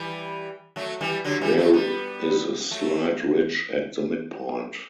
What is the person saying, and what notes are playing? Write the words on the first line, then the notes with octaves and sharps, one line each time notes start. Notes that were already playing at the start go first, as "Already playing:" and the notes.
There is a slight ridge at the midpoint.
Already playing: E3 G3
F#3 A3
E3 G3
D3 F#3
E3 G3
F#3 A3
G3 B3
F#3 A3